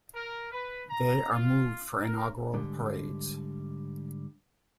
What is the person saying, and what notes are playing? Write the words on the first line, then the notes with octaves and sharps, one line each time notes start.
They are moved for inaugural parades.
A#4
B4
A#5
F4
A#4
G#2 D3 G3